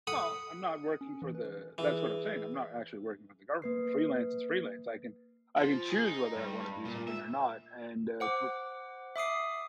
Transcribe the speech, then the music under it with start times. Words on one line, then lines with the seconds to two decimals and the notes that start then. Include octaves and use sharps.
well, I'm not working for the that's what I'm saying. I'm not actually working with the government, freelance is freelance. I can I can choose whether I wanna do something or not and, uh, for
0.07 A4 F#5 B5 D#6
1.01 C#4
1.22 E3
1.35 B4
1.78 E3 G#4
3.62 A#3 B4 C7
5.58 F3
5.90 G#4
6.06 D#4
6.36 G2
6.85 A#2
7.08 E5
8.20 C5 F#5 D6
9.16 E5 D6 D#6 C7